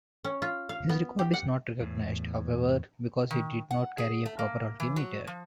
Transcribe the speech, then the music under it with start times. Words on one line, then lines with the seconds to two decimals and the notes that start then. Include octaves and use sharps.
His record is not recognized, however, because he did not carry a proper altimeter.
0.24 C#4
0.42 F4
0.69 F5
0.89 B3
1.19 G4
1.33 F#5
1.81 E2 A2
3.31 D#3
3.71 F#5
3.98 G#4
4.26 A3
4.39 A#3
4.80 E3
4.96 F#3
5.27 F3